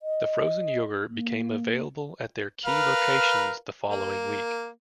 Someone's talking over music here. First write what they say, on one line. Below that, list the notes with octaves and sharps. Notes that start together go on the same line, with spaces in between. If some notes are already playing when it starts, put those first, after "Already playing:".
The frozen yogurt became available at their key locations the following week.
D#5
A#3
A#4 B4 F5
A#3